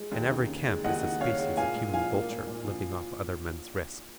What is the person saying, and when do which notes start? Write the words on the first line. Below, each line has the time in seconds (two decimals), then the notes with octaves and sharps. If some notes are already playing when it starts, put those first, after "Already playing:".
In every camp is a species of human vulture living off other men's risk.
Already playing: G#3
0.11 D#2
0.30 D#4
0.48 C#3
0.66 G#3
0.84 D#2 D#5 F#5
1.02 D#4
1.20 C#3 C#5 F5
1.39 G#3
1.57 A#2 F5 G#5
1.75 A#2
1.93 F3 F5 G#5
2.11 A#3
2.30 A#2
2.48 A#2
2.66 F3